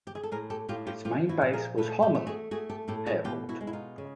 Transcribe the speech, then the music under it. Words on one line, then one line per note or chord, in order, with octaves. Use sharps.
Its main base was Homyel Airport.
G4
G#4
A4
A2 G#4 A#4
G4 A4
A2 F4 G4
F4 G4
F3 F4 G4
E4 F#4
A#2
G#4 A#4
A3 A4 B4
G4 A4
A3
F#4 G#4
A3 F#4 G#4
G4 A4
A2 G4 A4
F#4 G#4
B2 F4 G4
E4 F#4
G#3
E4
D#4 F4
C#3